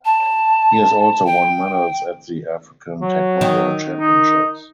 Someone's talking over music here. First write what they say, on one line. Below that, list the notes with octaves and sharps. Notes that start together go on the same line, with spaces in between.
He has also won medals at the African Taekwondo Championships.
A5
G5
F#3
D#3
D#4